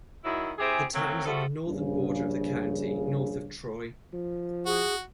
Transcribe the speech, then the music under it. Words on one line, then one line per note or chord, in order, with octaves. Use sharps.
The town is on the northern border of the county, north of Troy.
D#3 F#3 E4
C4 E4 G4 G#4
F#3 A3 A#3 C4
F3 G3 A3 F#4 A4
A#1 G2 C#3
F3
F#4 G#4